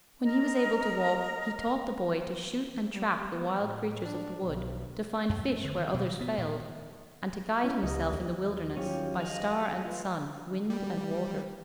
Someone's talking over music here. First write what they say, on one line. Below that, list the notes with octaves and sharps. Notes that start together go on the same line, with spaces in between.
When he was able to walk, he taught the boy to shoot and trap the wild creatures of the wood, to find fish where others failed, and to guide himself in the wilderness by star and sun, wind and water.
A#4 D#5 A#5
G3
B3
A2
D4
B1
F#2
A3
D3
D#3
B2
F#3
B3
A#2
C#4 E4
C#2 G3 D#5
D#2
D#3 F#3 C#4 F4 G4
G#4 D#5 F5
F4 B4
G3